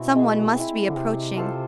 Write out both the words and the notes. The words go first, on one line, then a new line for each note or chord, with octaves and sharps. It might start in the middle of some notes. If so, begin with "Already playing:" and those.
Some one must be approaching.
Already playing: B2 C4 E4
G#3
C4 E4
D3
C3 C4
F4 A4 C5